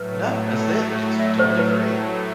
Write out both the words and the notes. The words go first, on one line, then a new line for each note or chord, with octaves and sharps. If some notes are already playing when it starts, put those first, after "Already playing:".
No, that's it, it's totally free,
Already playing: A2 F#3 A3 B4
E5
C5
B4